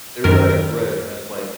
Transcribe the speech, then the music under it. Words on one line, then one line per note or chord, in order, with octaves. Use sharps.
Eh, right, right, and like
F#2 D#3 A#4